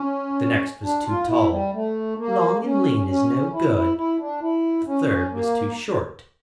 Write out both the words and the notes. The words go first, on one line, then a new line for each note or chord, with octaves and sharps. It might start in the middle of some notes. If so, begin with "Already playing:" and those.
The next was too tall. 'Long and lean is no good!' The third was too short.
Already playing: C#4
D4
F4
E4
G3
A3
A#3
C#4
C#4
E4
E4
E4
D4
E4
C#4
A#3